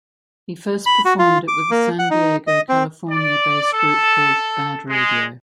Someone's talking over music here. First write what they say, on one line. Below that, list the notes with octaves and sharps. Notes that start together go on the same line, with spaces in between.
He first performed it with a San Diego, California-based group called Bad Radio.
B5
F#4
F4
D6
A#3
F#5
D#4
D#5
C4
D5
A4
G#3